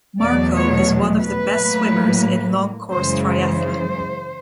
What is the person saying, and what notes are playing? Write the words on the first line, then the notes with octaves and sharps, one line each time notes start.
Marko is one of the best swimmers in long course triathlon.
E2 B2 F#3 A3 D5
C#5
B4
A2 F#3 A#3
F#2 C#3 E3 G#3 C5
C5